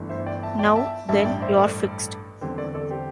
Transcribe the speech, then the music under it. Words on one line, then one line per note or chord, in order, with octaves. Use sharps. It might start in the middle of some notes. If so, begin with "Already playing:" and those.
Now, then, you're fixed.
Already playing: G1 G2 E3 A3
C5 E5
D5 G5
E5 A5
D5 G5
E5 A5
A1 G2 G3 D4 E5 A5
D5 G5
C5 E5
A4 D5
E2 D3 G3 C4 G4 C5
A4 D5
A4 D5
G4 C5